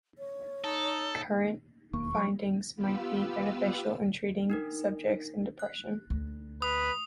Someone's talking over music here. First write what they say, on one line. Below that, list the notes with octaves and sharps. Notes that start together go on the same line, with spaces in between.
Current findings might be beneficial in treating subjects in depression.
C#5
D#4 A4
E1 D#2 A#3 C#6
F#3
B3 F4 G4 B4 F5 E6
D4 D#4 A#4
F#6
D2
B4 D#6